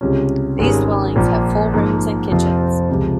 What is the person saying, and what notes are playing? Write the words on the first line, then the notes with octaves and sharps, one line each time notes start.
These dwellings have full rooms and kitchens.
C#2 C3 G3 C#4
G#1 G#2 G3 C#4 G#4
A#1 A#2 F3 A#3
G#2 F3 A#3
F2 C3 F3 C4 F4
C#2 C3 F3